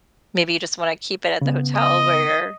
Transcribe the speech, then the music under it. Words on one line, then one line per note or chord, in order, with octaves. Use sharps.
maybe you just wanna keep it at the hotel where you're
C#3 B3
D#5